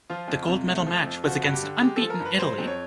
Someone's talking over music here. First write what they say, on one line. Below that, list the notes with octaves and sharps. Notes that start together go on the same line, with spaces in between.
The gold medal match was against unbeaten Italy.
F3 F4
F2
C3
A3
F3
F2
F3 F#4
G2
G4
D3
G#3 G4
F3 A4
A#4
G2
B4
F#3 C5
F2
C#5